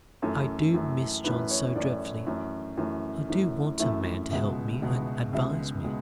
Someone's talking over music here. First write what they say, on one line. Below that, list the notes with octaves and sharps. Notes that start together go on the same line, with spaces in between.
"I do miss John so dreadfully; I do want a man to help me and advise me."
F#2 E3 A3 A4
F#2 E3 A3
F#2 E3 A3 B4
C#5
F#2 E3 A3 D5
F#2 E3 A3
F#2 E3 A3
F#2 E3 A3
F#2 E3 A3 E5
C#2 B2 G#3 E5
C#2 B2 G#3
C#2 B2 G#3 E5
B2 G#3